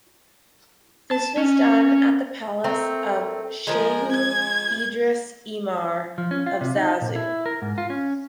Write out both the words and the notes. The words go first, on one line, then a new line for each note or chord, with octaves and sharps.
This was done at the palace of Shehu Idris Emir of Zazzau.
A5
C#4
A3 C4 A#4
F3 G#3 A#4
G#6
F3
C#4
F4
C3
D#4
A#2
E4
A#4
G#2
F4
C#4